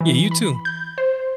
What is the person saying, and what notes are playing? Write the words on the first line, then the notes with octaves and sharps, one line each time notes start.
Yeah, you too.
E3
B5
G6
C5